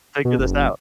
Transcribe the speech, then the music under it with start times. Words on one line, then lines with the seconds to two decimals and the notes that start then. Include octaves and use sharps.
figure this out.
0.25 B2
0.39 F#1